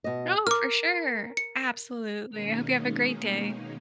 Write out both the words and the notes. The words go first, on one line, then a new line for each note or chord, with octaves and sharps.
Oh, for sure. Absolutely. I hope you have a great day.
B2 D#5
A#4 D6 F6
C#7
B2 D#3 G#3 A#3 C#4 D#4